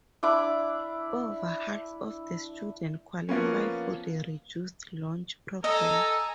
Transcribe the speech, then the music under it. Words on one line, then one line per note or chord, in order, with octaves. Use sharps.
Over half of the student qualify for the reduced lunch program.
D4 E4 D5 D6
F3 A#3 B3 C#4
A4 D#5 G#5 A#5